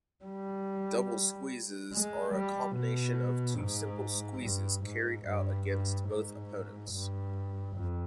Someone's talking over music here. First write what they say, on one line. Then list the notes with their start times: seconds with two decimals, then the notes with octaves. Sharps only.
Double squeezes are a combination of two simple squeezes carried out against both opponents.
0.25 G3
1.93 G#3
2.34 G3
2.75 B2
3.58 G#2
4.42 G2
4.84 G#2
5.26 G2
5.67 G2
6.09 G#2
6.92 G2
7.76 F2